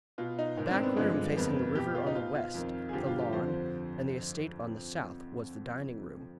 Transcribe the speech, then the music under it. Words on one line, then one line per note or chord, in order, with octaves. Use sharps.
The back room facing the river on the west, the lawn and the estate on the south, was the dining-room.
B2 F4
D#4
G#2 D#3
D4
C4
B3
G2 D3 F3 G#3
F2 D#3 B3
B2 G4
F4
D#4
B2 F4
F4
F2 D#3
G#4
G2 D3 F3 G4
F4
G4
F2 D3 F3 C5